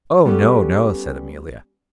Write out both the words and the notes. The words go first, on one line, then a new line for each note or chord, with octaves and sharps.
'Oh no! no!' said Amelia.
G3 B3 C#4 G4 A4